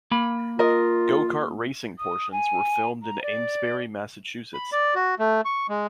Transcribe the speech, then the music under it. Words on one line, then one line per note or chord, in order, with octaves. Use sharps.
The go-kart racing portions were filmed in Amesbury, Massachusetts.
A#3 B5
F4 A#4 D#5
D#6
G#5
A#5
D5
B5
D5
F#4
A3
C#6
G#3